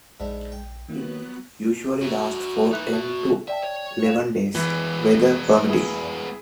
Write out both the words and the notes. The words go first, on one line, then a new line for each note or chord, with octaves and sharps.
It usually lasts for ten to eleven days, weather permitting.
A#1 G#2 D4 E4
G5
D#3 F#3 A#3 B3 E4 F#6
F#4 E5
D#4 B4 E5 D#6 F#6
F#4 A5
D5 E5 G5 A5
C#5
F5 E7
E3 G#3 B3
E4 G#4